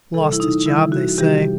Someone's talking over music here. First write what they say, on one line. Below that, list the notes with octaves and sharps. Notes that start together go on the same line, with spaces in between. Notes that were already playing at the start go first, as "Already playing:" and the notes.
Lost his job, they say.
C3 E3 G3 A4
E4
D#4
C3 E3 G3 E4
F#4
C3 E3 G3 G4